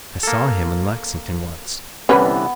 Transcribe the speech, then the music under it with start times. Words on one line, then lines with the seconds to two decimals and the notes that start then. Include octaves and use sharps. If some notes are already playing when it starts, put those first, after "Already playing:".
I saw him in Lexington once.
0.23 A#3 A4
2.09 C2 D3 E3 B3 C#4 B4